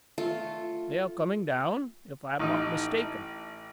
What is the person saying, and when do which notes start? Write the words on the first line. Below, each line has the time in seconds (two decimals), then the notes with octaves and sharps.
"They are coming down, if I am not mistaken."
0.18 A3 F4
2.39 A1 D#4